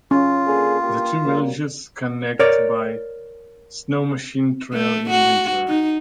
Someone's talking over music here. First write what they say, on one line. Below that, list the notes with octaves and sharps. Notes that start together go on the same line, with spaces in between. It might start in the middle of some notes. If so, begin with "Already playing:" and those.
The two villages connect by snowmachine trail in winter.
C#4 F4
D3 A#3 G#4
G2 A#3 G4
F#3 G3 A#3
A#4 C#5 D5
A3
F#4
D#4